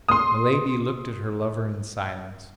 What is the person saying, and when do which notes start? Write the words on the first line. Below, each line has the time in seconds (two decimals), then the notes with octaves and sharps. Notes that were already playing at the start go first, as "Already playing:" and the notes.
Milady looked at her lover in silence.
0.09 C6 D#6